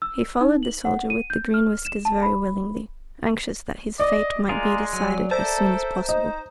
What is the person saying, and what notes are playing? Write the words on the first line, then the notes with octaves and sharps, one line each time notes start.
He followed the Soldier with the Green Whiskers very willingly, anxious that his fate might be decided as soon as possible.
E6
D#4
F#7
F#5
D#7
G6
F6
E7
A5
B5
D5 D#5
G#3 F4 G#4 A#4
F#3 G#5
A4 A#4 C5 E5 A5
D#4 D#5